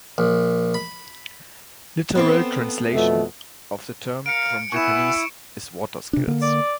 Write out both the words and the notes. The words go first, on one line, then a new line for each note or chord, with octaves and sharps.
Literal translation of the term from Japanese is "water skills".
A#1
B5
B3 C4 A4
F2 B2 A3
A#4 F5 C#7 D7
B3 E4 F#5 G#5 C#6 C#7 E7
C3 D4
D3 A#3
D5